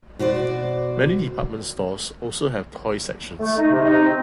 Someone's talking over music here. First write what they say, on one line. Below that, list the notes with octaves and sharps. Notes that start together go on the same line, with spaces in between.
Many department stores also have toy sections.
B2 F#4 C5 D5
A3
D#4
C3
D#4
C4